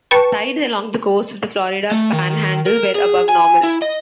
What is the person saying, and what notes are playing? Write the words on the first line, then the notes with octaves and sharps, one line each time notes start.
Tides along the coast of the Florida Panhandle were above normal.
B4 G5 A5 C#6
A3
D#3
A#4
G#4
G#5
E4
D#5